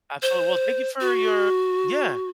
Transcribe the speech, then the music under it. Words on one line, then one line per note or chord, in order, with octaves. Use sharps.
Absolutely. Well, thank you for your Yeah.
C5
F#4